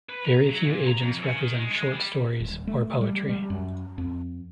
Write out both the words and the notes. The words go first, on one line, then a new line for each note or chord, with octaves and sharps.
Very few agents represent short stories or poetry.
B4
A#5
F#3
A#2
A#5
F2
C#3
D#3
G#3
G#3
G3
D#1
A3
G3
G3
F#2
F2